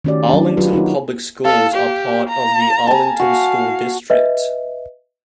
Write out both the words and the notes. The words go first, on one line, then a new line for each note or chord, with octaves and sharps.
Arlington Public Schools are part of the Arlington School District.
D#3 A3 C#4 F#4 G4 D5
F#3 C#4 D4
F#3 F4 G4 B4
D#4 E4 F#4 A#4
A4 F5
G4
A#5
G#5 A5
F#4 F5
B4 D#5 E5